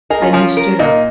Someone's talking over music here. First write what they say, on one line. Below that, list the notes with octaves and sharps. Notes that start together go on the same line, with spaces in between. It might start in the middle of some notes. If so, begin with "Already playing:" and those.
Then he stood up.
D#4 G#4 A#4
C#4 F4
F3 C#4 F4
A#4
A#2 A#3 D#4